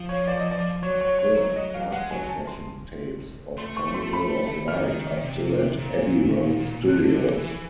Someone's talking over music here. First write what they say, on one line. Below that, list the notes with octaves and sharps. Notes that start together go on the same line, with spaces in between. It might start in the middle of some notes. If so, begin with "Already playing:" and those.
The master session tapes of "Carnival of Light" are still at Abbey Road Studios.
Already playing: F3
C#5
D5
D#5
D5
F#3 C#5
C#5
C#5
C#5
D#5
F5
G#3 F#5
F#3 G#5
G#5
A5
C6
A3 C6
C#6
C6
B5
D#3 F6
C3
A#2
D3 F#6
D3
E3
E3